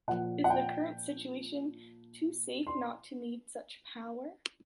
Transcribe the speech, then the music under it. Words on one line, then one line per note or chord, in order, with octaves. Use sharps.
Is the current situation too safe not to need such power?
A#2 F3 F#5
F#5
G5
C6